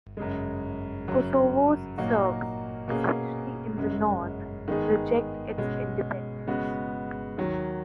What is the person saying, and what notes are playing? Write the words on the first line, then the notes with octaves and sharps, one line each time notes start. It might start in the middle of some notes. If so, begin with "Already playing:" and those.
Kosovo's Serbs, especially in the north, reject its independence.
F#2 C#3 G#3
F#2 C#3 F#3
A#2 F#3 A#3 D#4 F#4
B2 A#3 C#4 G#4
F#2 C#3 G#3
D#3 G#3 B3 D#4 G#4
B2 G#3 C#4
C#3 G#3 B3 F#4
D#2 D#3 F#3